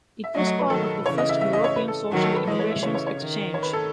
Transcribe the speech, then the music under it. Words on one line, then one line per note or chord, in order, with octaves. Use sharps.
It was part of the first European Social Innovations Exchange.
E5
F#3 A3 D#5
D#5
B4
D#3 F#3 A4
C#3 E3 C#5
D#5
E5
E5
D#5
C#5
B4
A4
D#3 F#3 F#4
A4
B4
E3 G#3 D#5
C#5
E5
C#3 E3 C#5
C#5
C#5
D#3
C#5
B4
A4